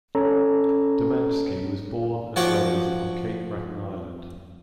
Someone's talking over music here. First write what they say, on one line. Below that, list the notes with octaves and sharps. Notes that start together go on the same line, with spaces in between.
Domanski was born and raised on Cape Breton Island.
C#4 A4 C#5 A#5
F3 F#4 C#5 G5 D6